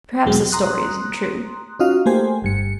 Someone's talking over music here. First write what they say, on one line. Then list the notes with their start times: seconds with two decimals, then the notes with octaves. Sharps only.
Perhaps the story isn't true.
0.25 E2 B2 F#3 G#3 B3
0.52 A#5 C6 D#6 F#6
1.79 C#4 D#4 F4 F#4 D#5 F5
2.06 A3 A#3 G4 C5 G#5
2.42 G1 G2 C#7